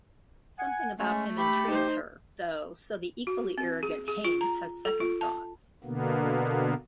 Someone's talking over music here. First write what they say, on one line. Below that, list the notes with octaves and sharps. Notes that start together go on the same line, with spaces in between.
Something about him intrigues her, though, so the equally arrogant Haines has second thoughts.
F#5 G#5
G#3 A3 C#4
G4 B5
D#4 C5
F#4
C4
G#4
G#4
F4
A#5
A4
F4
A5
B2 D3 A#3 B3